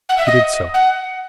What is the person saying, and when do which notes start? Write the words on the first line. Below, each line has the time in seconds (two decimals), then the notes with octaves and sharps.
He did so.
0.09 F#5
0.18 E5
0.26 D#5
0.74 F#5